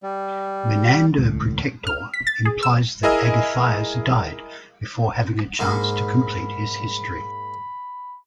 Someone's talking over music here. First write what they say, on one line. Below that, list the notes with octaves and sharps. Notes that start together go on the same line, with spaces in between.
Menander Protector implies that Agathias died before having a chance to complete his history.
G3
D#1 C#2 A2
F6
B6
A6
G#4
E6
E4 G#4 A#4 D#5 G#5 E6
G#2 A#3 B5